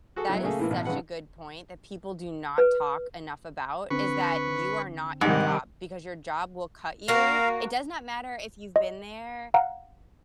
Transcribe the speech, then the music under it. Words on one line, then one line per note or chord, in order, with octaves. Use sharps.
That is such a good point that people do not talk enough about, is that you are not your job because your job will cut you. It does not matter if you've been there
F#4 G#4 A4
F#3 E4
C#3 A3 A#3 G#4 A4
A2 E3 A#3
A1 B2
G#1 C#3 B4 F#5
B4
D3 C4 B4 C#6
G#2 C3 D#3 G3 F#5
A#3 F#4 A#4 F5
D#5
F5 F#5 A#5